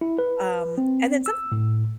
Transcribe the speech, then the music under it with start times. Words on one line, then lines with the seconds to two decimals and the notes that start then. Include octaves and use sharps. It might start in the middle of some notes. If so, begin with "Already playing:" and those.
um, and then somet
0.01 E4
0.19 B4
0.78 C4
1.26 E6
1.52 A2